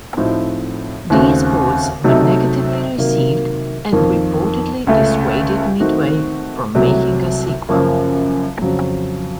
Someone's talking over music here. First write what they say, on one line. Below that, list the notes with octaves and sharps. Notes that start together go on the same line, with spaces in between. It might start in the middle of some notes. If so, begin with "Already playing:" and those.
These ports were negatively received and reportedly dissuaded Midway from making a sequel.
A2 F3 C4 D#4 F#4
D#2 C#3 A3 C4 F#4
C3 F#3 A3 D#4 A4
C3 D#3 F#3 A#3
F2 D#3 A#3
C#2 C#3 A3
D#3 A3 C4 D#4 F#4
C2 C3 F#3 A3
F#2 C#3 F3 A#3
F2 C#3 F#3